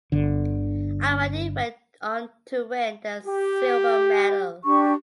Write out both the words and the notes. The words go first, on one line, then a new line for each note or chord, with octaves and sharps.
Ahmadi went on to win the silver medal.
G1 D3
G4
D4 G4 C#6